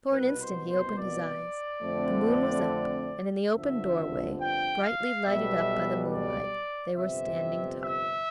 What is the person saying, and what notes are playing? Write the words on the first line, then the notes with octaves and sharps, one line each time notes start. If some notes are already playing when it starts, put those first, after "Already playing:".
For an instant he opened his eyes: the moon was up, and in the open doorway, brightly lighted up by the moonlight, they were standing talking.
C2 B2 B3 B4
C5
C5
D5
F2 D3 A3 C4
G1 F2 D3 F3 E5
G5
F5
B1 B2 G3 E5
D5
G1 F2 C3 E5
E5